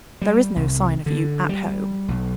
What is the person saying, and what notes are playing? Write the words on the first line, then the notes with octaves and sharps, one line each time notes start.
There is no sign of you at home.
G3
C2
D3
G3
B1